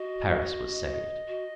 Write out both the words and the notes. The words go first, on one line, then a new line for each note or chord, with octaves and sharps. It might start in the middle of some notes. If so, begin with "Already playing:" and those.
Paris was saved.
Already playing: F#4 D#5
F#4